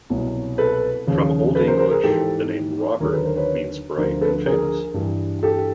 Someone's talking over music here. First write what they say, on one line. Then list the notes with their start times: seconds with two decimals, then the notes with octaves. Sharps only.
From old English, the name "Robert" means bright and famous.
0.10 C2 B2 F#3
0.58 A4 B4
1.07 D#2 C#3 F3
1.55 A4 B4
1.67 A#4 C5
1.79 A#4 C5
1.91 G#4 A#4
2.03 G#2 E3 G4 A4
3.00 D#2 D3 F#3 G#4 A#4
3.13 A4 B4
3.24 A#4 C5
3.36 B4 C#5
3.97 D2 D3 F3 A#4 C5
4.21 A4 B4
4.46 G#4 A#4
4.94 G2 E3
5.43 G4 A4